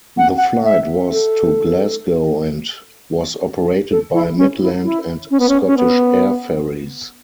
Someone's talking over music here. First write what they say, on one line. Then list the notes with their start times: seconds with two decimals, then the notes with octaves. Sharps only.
The flight was to Glasgow and was operated by Midland and Scottish Air Ferries.
0.18 F#5
0.37 F#5
0.64 E5
1.11 A4
3.91 A4
4.14 E4
4.37 C#4
4.62 E4
4.84 E4
5.31 C#4
5.40 B3
5.49 C#4
5.67 C#4
5.77 B3